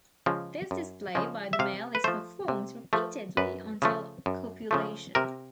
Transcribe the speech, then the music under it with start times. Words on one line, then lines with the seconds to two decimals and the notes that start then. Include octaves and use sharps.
This display by the male is performed repeatedly until copulation.
0.26 C#3 F3 G#3
0.71 F#2
1.15 C#3 F3 G#3
1.53 E5
1.59 C3 F5
1.95 B4
2.04 F3 A3 C5
2.48 C3
2.93 F3 A3
3.37 F#2 B4
3.82 C#3 F3 A3
4.26 F#2
4.71 C#3 F3 A3
5.15 C3 A#4